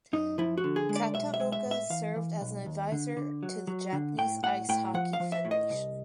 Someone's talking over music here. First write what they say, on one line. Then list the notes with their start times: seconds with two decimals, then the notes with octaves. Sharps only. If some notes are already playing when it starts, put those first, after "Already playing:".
Kataoka served as an advisor to the Japanese Ice Hockey Federation.
0.13 F#2 D#4
0.38 F3 E4
0.58 F#4
0.64 D3
0.76 G#4
0.89 G#3
0.95 D5
1.14 B1 E5
1.34 E5
1.40 G#3
1.52 E5
1.65 A2
1.71 E5
1.90 E3 F5
2.16 E3
2.41 B1
2.66 D#2
2.92 D3
3.17 D3
3.43 F#3
3.67 F#3
3.93 D3
4.18 A2 G5
4.43 A2 F#5
4.69 A2 G5
4.94 F3 F#5
5.13 F5
5.20 F3
5.32 E5
5.45 A2
5.51 D#5
5.70 C2